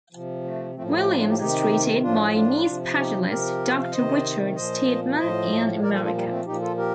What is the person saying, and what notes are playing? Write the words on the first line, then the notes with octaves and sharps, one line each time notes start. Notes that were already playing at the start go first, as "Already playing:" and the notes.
Williams was treated by knee specialist Doctor Richard Steadman in America.
C3 F3
A3
A2 F3 A3 C4
G3 A#3
A3
A3
D4 F4
D#4 G4
C3 D#3 D#4 G4
A2 F3 D4 F4
D4 F4
C3 F3
D#4 G4
C3 F3 G4 A#4
F5
C3 D#3 C5 D#5
A#2 F3 C5 D#5
A2 F3 C5 D#5
A#2 F3 A#4 D5
A4 C5
F4 A4
G3 A#3
A3 C4
A#2 F3 D#4 G4
F4 A4
G4 A#4